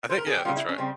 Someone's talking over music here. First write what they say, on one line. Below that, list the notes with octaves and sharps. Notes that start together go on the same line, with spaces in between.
I think yeah, that's right.
C5
A#4
G#4
G4
C#3 G3 F4
E4
C#4
C#3 G3 C4